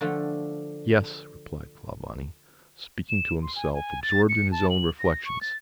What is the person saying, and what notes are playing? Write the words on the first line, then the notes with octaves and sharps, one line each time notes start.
"Yes!" replied Clawbonny, speaking to himself, absorbed in his own reflections.
D3 F3 A3 G5
E7
C6
G#5
G#5
A6
C#7
A5
F#7
A#6
C#6
A6